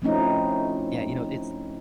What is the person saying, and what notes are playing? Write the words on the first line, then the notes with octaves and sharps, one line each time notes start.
yeah, you know, it's
F3 A3 C4 C#4 D#4 E4